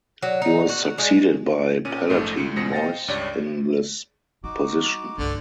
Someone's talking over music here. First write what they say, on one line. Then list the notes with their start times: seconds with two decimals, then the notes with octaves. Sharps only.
He was succeeded by Palatine Mojs in this position.
0.22 F#3
0.42 D#4
0.69 F#4
0.98 G#3
1.85 A#2 C#4 D#7
2.09 A#1 G#2 A3
2.37 C2 C#7
2.56 E2 B2 G#3 C4 A#6 C#7
2.73 C5 D#5 F5 G5 A6 A#6
3.08 C#2 G2 C#5 D5
4.44 G3 D#4 F#4 D6
5.18 C2 G2 D3 A3 D4